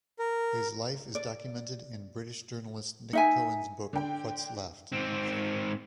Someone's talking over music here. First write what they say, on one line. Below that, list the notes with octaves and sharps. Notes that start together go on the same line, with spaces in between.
His life is documented in British journalist Nick Cohen's book "What's Left".
A#4
D5
D#4 E5 G#5
D3 G5
G#2 C4